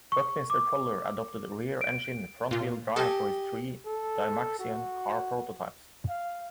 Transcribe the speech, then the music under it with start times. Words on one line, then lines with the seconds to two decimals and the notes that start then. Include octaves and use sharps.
Buckminster Fuller adopted rear-engine, front wheel drive for his three Dymaxion Car prototypes.
0.12 C#6
0.50 D6
1.81 D7
2.51 A#2 F4
2.96 G4 A4 D#5 G#5
3.86 A4
4.59 F#4
6.09 F5